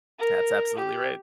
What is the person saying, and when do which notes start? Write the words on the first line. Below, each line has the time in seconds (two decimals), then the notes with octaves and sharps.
That's absolutely right.
0.20 A#4
0.78 G4